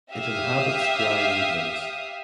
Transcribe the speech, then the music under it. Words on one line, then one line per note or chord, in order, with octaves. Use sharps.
It inhabits dry woodlands.
G4 E5 F5 D#6